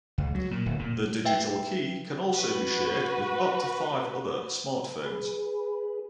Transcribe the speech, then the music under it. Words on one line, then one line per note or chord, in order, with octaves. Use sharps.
The digital key can also be shared with up to five other smartphones.
C#2
F#3
A#2
D1
A#2
B4 E5 G5
F#4 B4
G#4 B4